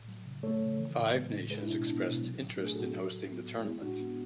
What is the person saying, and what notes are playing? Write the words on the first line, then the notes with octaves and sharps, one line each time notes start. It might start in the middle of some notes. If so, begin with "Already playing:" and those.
Five nations expressed interest in hosting the tournament.
Already playing: A2
F#3
C#3
A3 A4 C#5
C#3
E3
A2
G#3
A2
G#3 G#4 B4
E4
B2 D4
B3 D4
B2
F#3
A2
A3 D4
G#4
A2 F#4 A4
F#3
A2
B3
A2
G#3 E4 G#4
A2 D4 F#4
B3